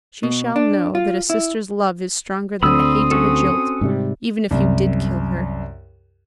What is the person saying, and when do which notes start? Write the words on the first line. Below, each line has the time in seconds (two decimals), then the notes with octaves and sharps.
She shall know that a sister's love is stronger than the hate of a jilt--even if you did kill her.
0.23 B2
0.56 D4
0.95 F4
1.30 E4
2.63 D2 D3 C4 B5 D#6 E6
3.11 C#4 F#4 A4
3.81 G#2 C3 G3
4.51 C2 F#2